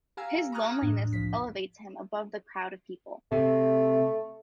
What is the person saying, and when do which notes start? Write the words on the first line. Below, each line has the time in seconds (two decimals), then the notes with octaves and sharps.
His loneliness elevates him above the crowd of people.
0.17 G4 F5 G#5 A#5 E6
0.52 A#5 C#6 D#6 F6 F#6 G#6
0.82 E2 A2 D4
1.13 C2 F3 B6
3.32 C3 A3